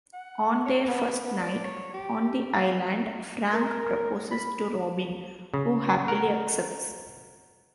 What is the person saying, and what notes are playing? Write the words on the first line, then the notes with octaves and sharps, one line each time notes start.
On their first night on the island, Frank proposes to Robin, who happily accepts.
F#5
C#5
B3
B3
D5
C#5
G4
F5
A#4
B5
C#3
A#4 F#5